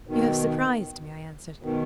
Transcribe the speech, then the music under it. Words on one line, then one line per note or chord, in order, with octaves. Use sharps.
"You have surprised me," I answered.
B2 D#3
B2 D#3